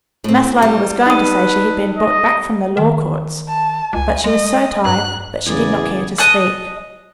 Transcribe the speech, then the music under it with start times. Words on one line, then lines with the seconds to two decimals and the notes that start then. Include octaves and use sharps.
Maslova was going to say she had been brought back from the Law Courts, but she was so tired that she did not care to speak.
0.24 A2 C4
0.62 G3
1.07 D#4 B4 D#6
1.98 D#5
2.77 D#3
3.48 A5
3.93 C#2 G#5
4.24 G#3 D#5
4.85 G2 F#6
5.46 E2 C#3 G#4 D5
6.18 D#5 A5 F#6